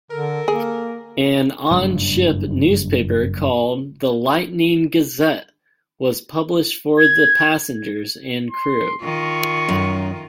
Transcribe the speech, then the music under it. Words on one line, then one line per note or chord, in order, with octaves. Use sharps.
An on-ship newspaper called the "Lightning Gazette" was published for the passengers and crew.
D3 A4 A#4
A#3 G#4
F#1 G2 F#3
G#6
C6
D#3 F4 C#6
F#2